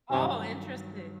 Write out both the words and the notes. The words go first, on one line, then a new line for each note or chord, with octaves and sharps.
Oh! Interesting.
G2 C3 D#3 F#3